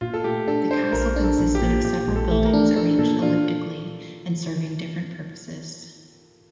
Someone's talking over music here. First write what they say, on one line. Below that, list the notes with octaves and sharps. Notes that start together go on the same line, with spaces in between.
The castle consisted of several buildings arranged elliptically and serving different purposes.
A#2 F4
A4
A3 G4
D4 A4
D4 C5
A#1 A#4
D4
A4
A#1
G4
A#2
A#2 G4
A#1
A4
A3
A#4
D4
D4 A4
A#2 A4
D4 F4